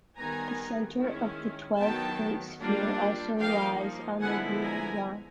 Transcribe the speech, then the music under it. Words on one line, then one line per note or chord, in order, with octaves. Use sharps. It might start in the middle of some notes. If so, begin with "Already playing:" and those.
The center of the twelve-point sphere also lies on the Euler line.
D#3 G3 B3 G#5 A#5
D#3 G#3 C#4 E4
D#3 F#3 B3 G5 A5
G3 A#3 D4 F4
F3 A#3 D#4 F5 G5
D3 F3 G#3 B3 E4 F#5 G#5
G#5 A#5